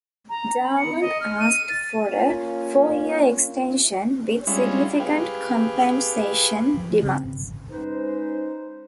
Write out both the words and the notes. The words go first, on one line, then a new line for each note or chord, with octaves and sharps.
Dallman asked for a four-year extension with significant compensation demands.
A#5
B5
C#7
D#5
F6
D#7
A6
A#3 C#4 F4
G3 G#3 C#4 E4 F4
G4 G#4 B4 F5
F3
C#3 C4
G#1
G#3 C#4 D#4 B4 C5